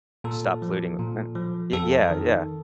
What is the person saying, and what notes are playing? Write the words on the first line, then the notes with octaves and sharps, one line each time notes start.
stop polluting the planet it Yeah, yeah.
A#2 A4
F3
A#2
F3
F2 A4
D#3